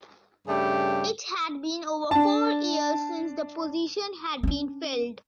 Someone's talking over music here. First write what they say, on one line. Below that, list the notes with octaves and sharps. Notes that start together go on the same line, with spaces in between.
It had been over four years since the position had been filled.
G2 C#3 G3 A3 G4
D4 A5
C#4 D4